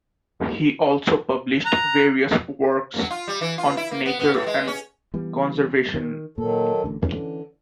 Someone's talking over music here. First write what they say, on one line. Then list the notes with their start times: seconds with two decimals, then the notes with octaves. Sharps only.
He also published various works on nature and conservation.
1.65 A#5 F#6
2.98 F#3
3.10 F4
3.28 G3
3.41 E3
3.58 F4
3.77 E4
3.91 A#3
4.06 B3
4.19 B3
4.34 A2
4.46 G#3
4.68 C#4
5.14 E3 G3 B3
5.94 D#3
6.38 A#2 D#3 F#3 A4
6.84 A1 D3
7.02 D3 E3 C#4